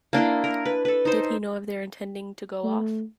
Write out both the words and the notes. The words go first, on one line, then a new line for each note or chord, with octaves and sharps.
Did he know of their intending to go off?
A#3 D4 E4 C6
A#4
B4
A4 B4
D#4 C5
A3